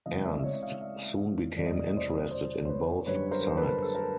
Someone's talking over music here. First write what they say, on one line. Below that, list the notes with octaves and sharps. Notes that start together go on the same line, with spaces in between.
Ernst soon became interested in both sides.
C#3 E3 G#3 C4 D#5 F5
D5 E5
E5
C#5 D#5
D#5 F5
D5 E5
E2 C3 E3 G3 C4 D5
D#5
D5
D#5
C5 D5
C5 D5
C5
B4 C#5
F#2 D3 G3 B3 B4 C#5
A#4 C5
A4 B4
A4
A#4